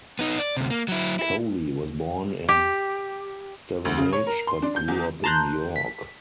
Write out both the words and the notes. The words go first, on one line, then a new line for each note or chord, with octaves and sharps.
Coley was born in Stevenage but grew up in York.
B3 D#4
D5
D2 C3
A#3
F#3 E4
E4
G4
D2
C#3
C#5
A#4
C6
D4
G6
E2
A5 A#5 C6 F#6 G6
B6